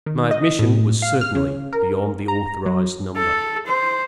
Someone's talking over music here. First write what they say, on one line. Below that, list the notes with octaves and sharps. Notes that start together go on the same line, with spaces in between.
My admission was certainly beyond the authorised number.
D#3
D#5
A2
F5
F6
C#3
A#4
A#5
F#3
A4
C5